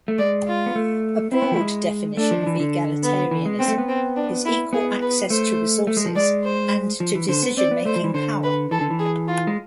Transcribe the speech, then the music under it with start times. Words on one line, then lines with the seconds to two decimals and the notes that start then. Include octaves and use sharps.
A broad definition of egalitarianism is equal access to resources and to decision-making power.
0.08 A3
0.18 G#3 D5
0.47 F4
0.66 B3
0.76 A3
1.32 C4 E4
1.42 B3
1.51 F3
1.56 A3
1.61 G#3
2.17 A3 D4
2.31 F3
2.47 E3
2.60 D3
3.03 B3
3.31 E3
3.46 G#3
3.59 B3 C4
3.68 A3
3.78 B3
3.89 C4
4.17 D4
4.45 E4
4.73 B3 G#4
5.02 B4
5.30 A3 C5
5.87 A3
5.97 G#3
6.06 F3
6.15 G#3 D5
6.44 C5
7.00 F3
7.15 E3
7.29 D3 C5
7.43 B3
7.57 C4 D5
7.71 B3
7.85 A3 C5
7.96 F3
8.04 E3
8.14 D3 C5
8.43 B4
8.71 E3 A4
8.81 D3
8.91 E3
8.99 G#4
9.28 F4
9.47 G#3